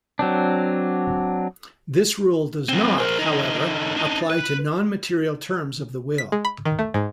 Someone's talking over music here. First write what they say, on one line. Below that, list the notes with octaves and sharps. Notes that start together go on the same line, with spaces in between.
This rule does not, however, apply to non-material terms of the will.
F#3 C4 D4
F#3 C4
A#4 C5
D3 D#4
D4 D#4
B4
B6
G#3
B5
D#3
A3
G#2